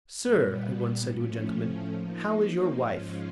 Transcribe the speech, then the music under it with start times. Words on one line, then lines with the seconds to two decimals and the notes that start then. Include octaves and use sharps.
"Sir," I once said to a gentleman, "how is your wife?"
0.22 A#2 G3 B3
1.07 A2 F3 A3 C#4
1.92 F3 A#3 D#4
2.77 G#2 F3 G#3 C#4 F4